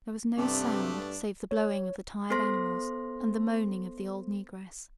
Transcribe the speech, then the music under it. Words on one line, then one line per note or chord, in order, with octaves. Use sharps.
There was no sound save the blowing of the tired animals and the moaning of the old negress.
G2 C3 A3 B3 D4
C#5
B3 A4 C5 C6 A#6